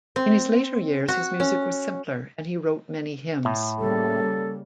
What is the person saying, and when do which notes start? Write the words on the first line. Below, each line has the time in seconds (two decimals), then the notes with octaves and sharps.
In his later years, his music was simpler, and he wrote many hymns.
0.16 C4
1.08 F#4
1.40 C#4
3.45 A2
3.78 C#3 G3 A#3 A4